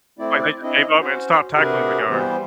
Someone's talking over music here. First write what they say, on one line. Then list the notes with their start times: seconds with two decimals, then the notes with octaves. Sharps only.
Like, they just gave up and stopped tackling the guy.
0.19 A3 C4 E4 D5
0.63 C4 D4 E4 D#5
0.99 C#4 F#4 C5
1.56 C3 D4 F#4 G#4 A#4 B4
2.09 E3 G3 B3 C5